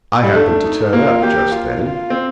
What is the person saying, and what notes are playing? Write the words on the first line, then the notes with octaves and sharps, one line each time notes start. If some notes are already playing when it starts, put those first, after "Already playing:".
I happened to turn up just then.
G3
A3 D4
D#4
A#3 F4
A#3 G4
F4
F4
C4